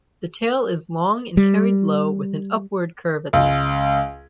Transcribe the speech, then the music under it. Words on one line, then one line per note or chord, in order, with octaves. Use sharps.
The tail is long and carried low with an upward curve at the end.
G3
C#2